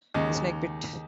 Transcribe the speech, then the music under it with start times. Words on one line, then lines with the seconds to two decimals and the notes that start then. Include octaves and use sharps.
"The Snake Pit".
0.14 D#2 C#3 G#3 D#4